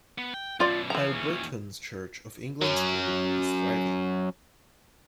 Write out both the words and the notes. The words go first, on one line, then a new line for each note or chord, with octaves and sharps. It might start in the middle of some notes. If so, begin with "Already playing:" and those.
Aylburton Church of England School is thriving.
B3
G5
F#2 B2 F4 D5
E3 F3 A#5
D#2 C#4
F#3 C#4